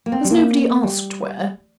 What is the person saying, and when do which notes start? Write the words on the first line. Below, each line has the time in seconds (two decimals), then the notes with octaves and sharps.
"Has nobody asked where?"
0.06 A#3
0.12 C4
0.24 G3
0.30 A#3
0.83 G3